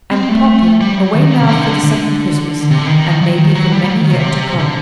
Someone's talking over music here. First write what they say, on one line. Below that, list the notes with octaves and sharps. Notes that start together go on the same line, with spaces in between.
And "Papa" away now for the second Christmas, and maybe for many yet to come!
C4
A3
G3
F#3
D#3
C3
D3
D#3
D3
D3
C3
D3
D#3
F#3
D#3
F#3
G3
G3
F#3
D#3
C3
D3